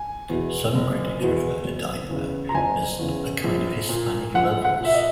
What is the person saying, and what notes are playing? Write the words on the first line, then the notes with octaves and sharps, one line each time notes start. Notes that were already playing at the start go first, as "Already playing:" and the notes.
Some critics refer to "Dynamo" as a kind of "hispanic Loveless".
Already playing: G#5
E2 B2
F#1
E2 B2
F#1
E2 C#3
A#5
F#1 G#5
E2 C#3
A#1
A#2
A#1 F#5
F#5
A#2
E5
D#5